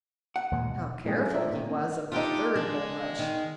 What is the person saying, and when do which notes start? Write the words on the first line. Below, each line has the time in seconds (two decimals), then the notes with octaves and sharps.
How careful he was of the third bulrush!
0.36 F#5
0.51 D#2 A#2 G#3
0.68 D2 B2
1.04 A#2 E3 G#3 C4 G4 G#4
1.17 F#3 E4 G#4
1.33 D#4 F4 C5 D5 E5
1.50 A#2 D#3
1.64 A#3 C#4
2.12 A3 D4 D#4 F4 G4
2.55 G#3 D4
3.19 D#3